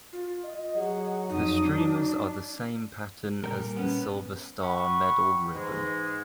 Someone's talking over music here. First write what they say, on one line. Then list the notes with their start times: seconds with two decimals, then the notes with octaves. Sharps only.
The streamers are the same pattern as the Silver Star Medal ribbon.
0.13 F4
0.44 D#5
0.76 F#3 G#4 F#5
1.29 F2 D#4 D#6
1.63 D4
3.44 A#2 G3 G4 A#4
3.76 B3 C#4
4.62 F#5 G5 B5 C#6
5.54 G#2 E3 G#3